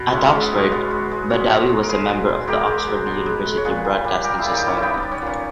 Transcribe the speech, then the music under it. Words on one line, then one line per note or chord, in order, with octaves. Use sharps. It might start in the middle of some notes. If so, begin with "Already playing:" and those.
At Oxford, Badawi was a member of the Oxford University Broadcasting Society.
Already playing: B2 B4
G#3 C#4 E4
C#4
G#3
B3
B2
C#4
B2 B3
G#3
G#3
B2 C#4
B2
G#3
A#4
G#3 G#4 B4
B2
B2
G#3 G4 A#4
G#3
B2
B2
G#3
G#3
C#5
A#2 G#4 B4
A#2
G3
G3 G4 A#4
A#2 E4 G#4
D#4 G4
A#2 C#4 E4
E4
G3 B3 D#4
B3
G3
C#4
A#2 C#4